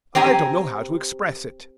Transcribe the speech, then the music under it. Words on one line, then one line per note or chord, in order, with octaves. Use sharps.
I don't know how to express it.
C4 G4 G#5 A#5